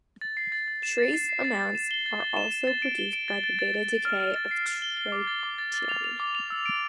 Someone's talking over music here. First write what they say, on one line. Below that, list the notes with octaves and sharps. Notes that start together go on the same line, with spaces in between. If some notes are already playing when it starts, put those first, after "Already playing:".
Trace amounts are also produced by the beta decay of tritium.
A6
C7
A6
A6
E7
A6
C7
C7
A6
A6
E7
G7
A6
A6
E7
E7
A6
D7
G7
D7
A6
A6
A6
A6
A6
F6
F6
A6
C7
F6
G7
G7
D6
A6
D6
A6
A6
F7
F7
D6
F7
E6
D7